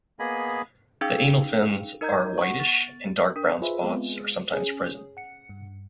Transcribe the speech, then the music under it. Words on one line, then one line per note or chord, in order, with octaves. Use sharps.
The anal fins are whitish and dark brown spots are sometimes present.
A#3 B3 G#4 D#5 G#5 B5
C#4 D#4 G#4 F5 G5 E6
D#4 A#4 D#5 A#5 G6 G#6
F#5 C#6
B3 A6
D4 A#4
F4 G#4 B4 C5 D#5 E5
G#3 B3 C4 F4 G#4
C#4 G#4
F#5 C#7
G2